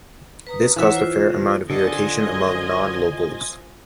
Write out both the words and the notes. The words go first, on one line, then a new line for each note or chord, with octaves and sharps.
This caused a fair amount of irritation among non-locals.
B4 A#5 D#6
E3 C#5 E5 F#5 A#5
F4 C5
D3 F3 A4 D#5 G#5